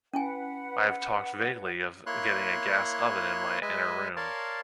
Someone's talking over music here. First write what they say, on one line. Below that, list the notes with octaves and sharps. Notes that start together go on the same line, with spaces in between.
I have talked vaguely of getting a gas oven in my inner room.
C#4 E4 B4 F#5 G#5
A#3 E4 C#5 C6 F#6
G#3 B4 D#5 E5 G#5
A#4 C#5 D5 F5 A5 C6